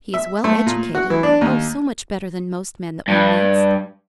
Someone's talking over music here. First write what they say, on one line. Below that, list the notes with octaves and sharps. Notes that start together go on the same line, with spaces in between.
He is well educated;--oh, so much better than most men that one meets.
E5
A3
A#2
F#4
E3
D4
D#2
G2